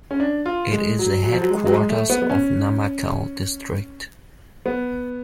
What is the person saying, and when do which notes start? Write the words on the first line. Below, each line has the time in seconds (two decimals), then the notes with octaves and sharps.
It is the headquarters of Namakkal district.
0.11 C#4
0.20 D4
0.46 F4
0.72 G#3
0.99 F#3
1.24 F#3
1.33 F3
1.41 F#3
1.50 G#3
1.65 F#3
1.71 G#3
1.90 A3
2.10 B3
2.22 B3
2.30 C#4
4.66 B3